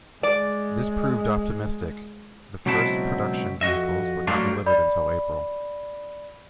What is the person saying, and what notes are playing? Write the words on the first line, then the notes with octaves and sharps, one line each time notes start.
This proved optimistic; the first production vehicles were not delivered until April.
G#3 D5
C#2 B2 F#3 C4 E4 A5
F2 F#4 D#5 E5
F#3 G3 A3 A#3 D4 F4
D5 B5